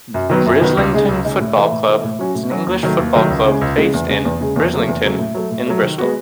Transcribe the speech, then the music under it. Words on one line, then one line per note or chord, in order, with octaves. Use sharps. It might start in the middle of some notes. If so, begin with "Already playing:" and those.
Brislington Football Club is an English football club based in Brislington, in Bristol.
F#2
D#3 F#3 B3
F#2
D#3 F#3 B3
C#2
C#3 G#3 D#4
C#2
C#3 G#3 D#4
A2
E3 A3
A2
E3 A3
A2
F#3 C#4 F#4
A2
F#3 C#4 F#4
D#2
D#3 F#3 A3
D#2
D#3 F#3 A3
C#2
C#3 G#3
C#2
C#3 G#3
E2
C#3 G#3
E2
C#3 G#3
E2
C#3 F#3 A3
E2
C#3 F#3 A3
A2
F#3 A3
A2
F#3 A3
D#3
G#3 B3 F#4